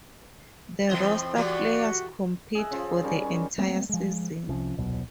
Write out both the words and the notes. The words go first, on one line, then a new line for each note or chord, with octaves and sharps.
The roster players compete for the entire season.
A2 E3 C4 D#5
E3 A3 F#4 G4 D5
G#4 D#5 E5 F#5
C#3 F3 F4
D#3 G3 C#4
C#6
G3 A3 A#3 C4
F3 G#3
C2 C3 F3 C#4
D#1 C2 B2 F#3